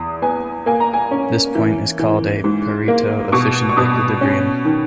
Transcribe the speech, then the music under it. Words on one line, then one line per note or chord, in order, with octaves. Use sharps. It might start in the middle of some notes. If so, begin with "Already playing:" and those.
This point is called a Pareto efficient equilibrium.
Already playing: E2 D#6
B3 G#5
A#3 G#5
A#5
G#5
C#4
E3
E3
G#2
A#3
B2 C#6
C#6
B2 D#6
C#4
D#3